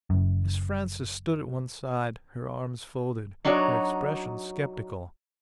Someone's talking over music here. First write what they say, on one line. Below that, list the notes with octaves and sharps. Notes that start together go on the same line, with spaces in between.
Miss Frances stood at one side, her arms folded, her expression skeptical.
F#1 F#2
F#3 D4 D#4 F#4 C#5